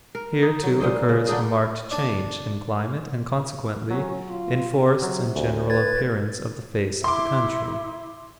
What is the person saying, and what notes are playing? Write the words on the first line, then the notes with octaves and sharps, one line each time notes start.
Here, too, occurs a marked change in climate and consequently in forests and general appearance of the face of the country.
A#4
D#4
F#3
A#2 G#3 C5 D#5
C#3
D3 D4 D#4 G#4
D4
F#3 C#4
F4
C3
F#3
D2
B4 G#6 A6
E4 C6 D6